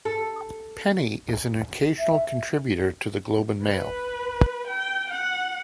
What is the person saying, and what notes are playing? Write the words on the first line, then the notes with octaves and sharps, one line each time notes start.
Penny is an occasional contributor to the "Globe and Mail".
A4
E5
B4
G5
F#5